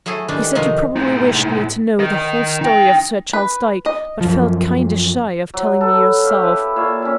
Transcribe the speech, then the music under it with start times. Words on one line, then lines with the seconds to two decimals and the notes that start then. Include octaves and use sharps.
He said you probably wished me to know the whole story of Sir Charles Dyke, but felt kinder shy of telling me yourself.
0.06 F#3 A3 E4 G#4 A4
0.28 D#3 E3 G3 D4
0.55 C3 D#3 F3 D#4 F#4
0.96 A2 D#4
2.00 D#3 D#5
2.61 D#4 G5
3.33 B4
3.86 D#5
4.21 F#2 F3
5.54 F#3
5.81 A4 B4
6.24 G4 F5
6.40 E4 B4
6.76 A#2 C#5 E5 F5
7.02 C#4 E4